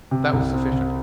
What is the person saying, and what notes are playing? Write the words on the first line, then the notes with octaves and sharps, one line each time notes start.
That was sufficient.
C3
C2
C4
C3